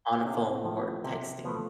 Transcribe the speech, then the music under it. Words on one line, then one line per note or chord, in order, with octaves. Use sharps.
on a phone or texting.
C3 D4
C4
F3 A3
B3
C3 C4
F3 A3 B3